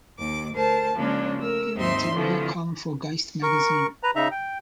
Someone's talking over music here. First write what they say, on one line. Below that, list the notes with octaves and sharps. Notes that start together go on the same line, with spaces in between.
He writes a regular column for "Geist" magazine.
D#2 D6
D2 A#4 C5 A5
C#3 F3 G#3 A#3 D4
A3 A#4 E6
D#2 G#2 C4 D#4 E5 C6
D3 E3 F3 A3 C4
A#4 C#6
B4 A#5
C#3 D#4 E5 A#5
G5